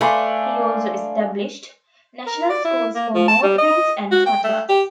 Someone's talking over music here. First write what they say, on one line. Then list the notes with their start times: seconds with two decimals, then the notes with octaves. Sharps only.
He also established national schools for Mordvins and Tatars.
0.01 A3 D4 B4 F5 G#5 C6
2.26 A#4
2.50 D5
2.64 E4
2.95 A#3
3.15 F3
3.28 A5
3.43 G3
3.58 D#5
4.11 F#4
4.26 G5
4.44 A3
4.69 G4